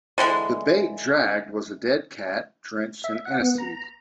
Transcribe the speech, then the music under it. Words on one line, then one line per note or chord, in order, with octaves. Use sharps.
The bait dragged was a dead cat drenched in aniseed.
D3 E3 G3 G#3
E5
F#5
B3
A#5